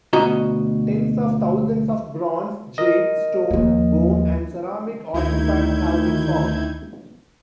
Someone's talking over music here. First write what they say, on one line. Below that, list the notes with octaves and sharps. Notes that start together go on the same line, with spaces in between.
Tens of thousands of bronze, jade, stone, bone, and ceramic artifacts have been found.
D2 B2 F#4 D#5 A#5
A#4 D#5
D#2 F3
D2 D#3 E4 G6 G#6